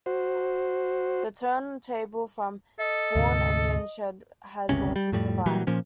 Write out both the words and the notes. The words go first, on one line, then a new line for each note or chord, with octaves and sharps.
The turntable from Bourne engine shed has also survived.
F#4 C5
A4 D#5
D2 G#2 C3
G1 C#2 C3 C#4
G3
F2 A2 G3
A#2 E3 F#3 G3
A#2 F3 C#4